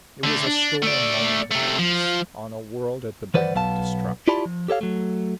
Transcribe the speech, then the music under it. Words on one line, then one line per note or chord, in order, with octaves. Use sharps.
It was a stolen moment of peace on a world at the brink of destruction.
D3 A3
D4
A3 D5
C3 A3
F3
D#3 E3 B4 C5 D5 F#5
B1 F#3 B3 F5 A5
E4 F4 G4 D5 A5 B5
F3
G4 A4 C#5 F5
F#3 A3